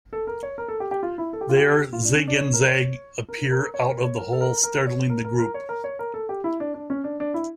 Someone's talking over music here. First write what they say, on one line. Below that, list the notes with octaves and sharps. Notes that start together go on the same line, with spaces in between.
There, Zig and Zag appear out of the hole, startling the group.
A4
A#4
C#5
A#4
A4
G4
G4
F4
E4
A4
G4
F4
G4
F4
D4
C#4
D4
C#5
A#4
C#5
A#4
A#4
C#5
A#4
C#5
A#4
A4
A#4
A#4
C#5
A#4
A#4
A#4
C#5
A#4
C#5
A#4
A4
G4
E4
D4
D4
C#4
D4
D4
E4